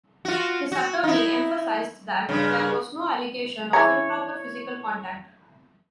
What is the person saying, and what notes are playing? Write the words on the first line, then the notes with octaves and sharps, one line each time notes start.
His attorney emphasized that there was no allegation of improper physical contact.
F4 F#4
F#4
D#4 E4
G2 C#3
E3 G#4 C#5 A#5